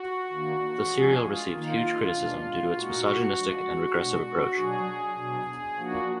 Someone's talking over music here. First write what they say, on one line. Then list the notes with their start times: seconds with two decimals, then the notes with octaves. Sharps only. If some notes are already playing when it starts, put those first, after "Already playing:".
The serial received huge criticism due to its misogynistic and regressive approach.
Already playing: F#4
0.32 D#3 A#3 D4
0.92 F3 G#3 D4 G#4
1.22 F4
1.52 D#3 A#3 D#4 F4
2.13 B2 G#3 D4
2.73 A#2 G#3 D#4 F#4
3.34 F3 G#3 D4
3.94 B2 G#3 D4
4.54 B2 F#3 D4 G#4
5.15 B2 F#3 D4
5.76 F3 A#3 D4 F#4